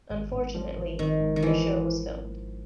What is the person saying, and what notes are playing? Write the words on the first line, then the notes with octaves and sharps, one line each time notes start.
Unfortunately, the show was filmed.
G#1
G#2
F3
G#1
G#1 D#3
G#2
D#3
E3 F3